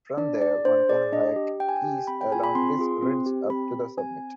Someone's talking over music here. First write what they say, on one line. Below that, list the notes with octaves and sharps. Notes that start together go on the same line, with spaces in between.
From there, one can hike east along this ridge up to the summit.
D4 D5
G#4 D5
D4 C5
G#4 D5
D4 D#5
G4
D4 G5
G#5
G5
G4
C4 B5
G5
F4 G#4 G#5
B5
C4 C6
F4 G#4
C4
G4
C4 B5
G4
C4 G#5